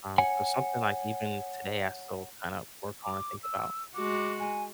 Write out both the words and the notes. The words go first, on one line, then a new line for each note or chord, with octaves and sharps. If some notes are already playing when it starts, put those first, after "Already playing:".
um, so, something like, even today I still kinda work on and think about.
C#5 F#5 G#5
D6
E6
G#3 F#4 D6
G#5